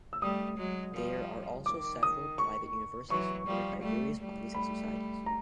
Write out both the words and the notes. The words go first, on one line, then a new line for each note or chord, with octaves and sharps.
There are also several private universities supported by various bodies and societies.
E6
G3 A3 D#6
F#3 G#3
F3 G3
D#3 D6
D#6
C#6
E3 F#3 C#6
F3 G3
G3 A3
G3 A3
B5
A#5